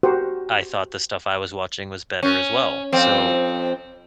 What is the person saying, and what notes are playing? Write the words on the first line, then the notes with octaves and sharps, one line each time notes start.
I thought the stuff I was watching was better as well, so
F#4 G4 A#4 C5 F#5
C#4
F2 C4